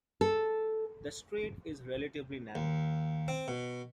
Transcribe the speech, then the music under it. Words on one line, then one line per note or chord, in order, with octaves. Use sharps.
The strait is relatively narrow.
A4
D#2
C4
B2